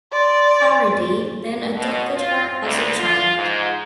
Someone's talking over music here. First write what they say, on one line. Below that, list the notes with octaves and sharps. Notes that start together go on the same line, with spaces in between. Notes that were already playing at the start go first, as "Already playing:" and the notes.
Faridi then adopted her as a child.
D5 C6
B2
F4
D2
F4
G#2